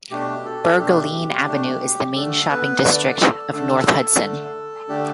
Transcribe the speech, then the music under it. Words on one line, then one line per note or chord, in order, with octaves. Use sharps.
Bergenline Avenue is the main shopping district of North Hudson.
B2 A3 D4 G4
A4
B2 A3 D4 G4
B2 A3 D4
D3 A3 D4 A4
B3 B4
D3 A3 D4 D5
A4
D3 A3 D4 A4
D3 A3 D4
D3 A3 D4 G4